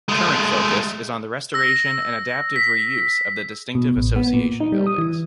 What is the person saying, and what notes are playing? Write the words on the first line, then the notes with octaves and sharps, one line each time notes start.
Current focus is on the restoration and adaptive reuse of the distinctive Association buildings.
G#3 A3
E6 A#6
B6
B2
A1
B3
A#2
D#4
G3
D#6
E3